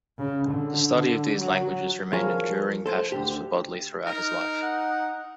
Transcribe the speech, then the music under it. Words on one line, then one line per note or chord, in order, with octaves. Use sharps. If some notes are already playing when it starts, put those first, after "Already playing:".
The study of these languages remained enduring passions for Bodley throughout his life.
C#3
D3
F#3
F3 G#4 A#4 C#5 F5
A4 C5
D2 D3 G4
D#4 A#4
F#5